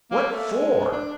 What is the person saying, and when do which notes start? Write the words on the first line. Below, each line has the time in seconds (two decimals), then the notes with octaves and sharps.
"What FOR?"
0.11 A#3
0.32 A3
0.51 G#3
0.92 D4